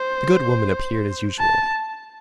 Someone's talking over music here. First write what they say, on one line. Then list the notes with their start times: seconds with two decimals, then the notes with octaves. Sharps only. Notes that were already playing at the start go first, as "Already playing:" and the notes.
The good woman appeared as usual.
Already playing: C5
1.40 A5